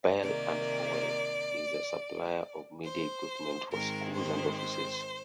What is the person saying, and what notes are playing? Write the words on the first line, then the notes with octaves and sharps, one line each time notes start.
Bell and Howell is a supplier of media equipment for schools and offices.
C3 D#3 A#3 D5
C5
G#2 D#3 G#3 C4 A#4
C5
C5